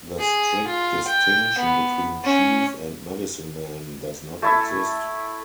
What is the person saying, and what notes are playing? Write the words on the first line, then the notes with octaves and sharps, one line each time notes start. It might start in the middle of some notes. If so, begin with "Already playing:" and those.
The strict distinction between chief and medicine-man does not exist.
G#4
F4
G5
B3
C#4
A3 E4 E5